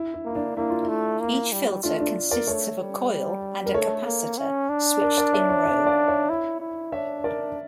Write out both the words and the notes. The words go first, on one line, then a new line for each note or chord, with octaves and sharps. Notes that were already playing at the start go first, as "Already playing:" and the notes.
Each filter consists of a coil and a capacitor switched in row.
Already playing: E4
E4
A#3 E4
D4
A#3 E4
F4
E4
A3
A#3
G3
A3 D4 F4
D4
A#4 D5
A3 A4 C#5
G3
A#4
A3 A4 C#5
A#3
C#4
D4
A#4 D5
A#4 D5
C#5 E5
C#5 E5
C#5 E5
D5 F5
C#5 E5
E4
E4
D4 C#5 E5
A#4 D5